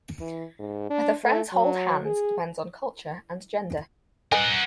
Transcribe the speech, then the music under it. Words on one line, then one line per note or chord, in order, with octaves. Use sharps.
Whether friends hold hands depends on culture and gender.
E3
G#2
D4
A3
F#3
G#4
A#4 B4 D#5 F#5 G#5